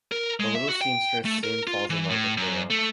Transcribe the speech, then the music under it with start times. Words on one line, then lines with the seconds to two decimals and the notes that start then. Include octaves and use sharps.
The Little Seamstress soon falls in love with Luo.
0.12 A#4
0.40 G#3
0.55 E5
0.69 F#4
0.81 G5
1.25 A3
1.44 A#4
1.67 F4
1.90 E3
2.10 A2
2.38 F#2
2.70 A3